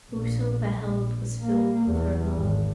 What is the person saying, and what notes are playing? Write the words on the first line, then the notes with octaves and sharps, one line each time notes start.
Whoso beheld was filled with her love.
A#1
A#1
A#3
E2
G#1